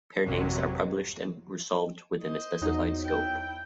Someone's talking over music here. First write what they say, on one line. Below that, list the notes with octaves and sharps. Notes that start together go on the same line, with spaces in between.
Peer names are published and resolved within a specified scope.
G#1 F2 C3 F#3
C5 D#5
E2 F#3 D#4
E4 G5